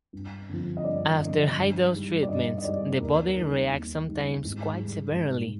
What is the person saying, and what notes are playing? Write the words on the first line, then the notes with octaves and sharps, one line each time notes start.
After high-dose treatments, the body reacts, sometimes quite severely.
G2
D3 F3
D#5
G2 D5
D3 F3
G2
D#3 G3
D5
G2 D#5
D#5
D#3 G3 D5
D#2 A#4
D#3 G3
D#2
D#3 G3
G#2
D#3 G3
G#2